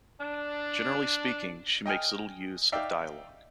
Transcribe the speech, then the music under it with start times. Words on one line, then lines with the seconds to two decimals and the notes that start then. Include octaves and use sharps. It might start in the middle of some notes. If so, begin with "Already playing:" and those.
Generally speaking, she makes little use of dialogue.
0.21 D4
1.86 D#5 G5 G#5 F6
2.72 D#4 D5 E5 F5 G5